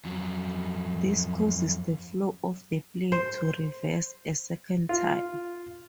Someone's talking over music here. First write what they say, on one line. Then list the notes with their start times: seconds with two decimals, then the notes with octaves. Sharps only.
This causes the flow of the play to "reverse" a second time.
0.05 F2 F#3
3.12 C5
4.89 F4